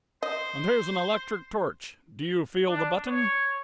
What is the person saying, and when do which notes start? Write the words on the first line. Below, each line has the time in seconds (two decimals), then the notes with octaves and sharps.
"And here's an electric torch. Do you feel the button?"
0.23 C5 D#5
2.68 D4
3.06 C#5